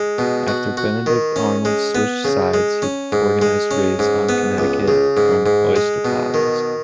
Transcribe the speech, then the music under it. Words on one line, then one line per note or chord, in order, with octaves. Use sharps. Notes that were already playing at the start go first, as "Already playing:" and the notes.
After Benedict Arnold switched sides, he organized raids on Connecticut from Oysterponds.
Already playing: G#3
B2
F#4
F#4
D#3
C#4
G#3
B3
C#3
G#3
C#4
G#2
G#3
C#4
G#2
B3
C#2
C#3
G#2
G#2
G#3
B2
D#3